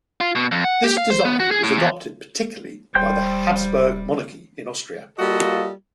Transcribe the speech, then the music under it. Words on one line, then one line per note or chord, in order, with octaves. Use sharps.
This design was adopted particularly by the Habsburg monarchy in Austria.
F4
B2
F2
F#5
G4
F5
C5
B3
F#4
G#4
A2
E2
D#1 G3 C5 G5 G6
G3 A#3 F4 F#4 A4 D#5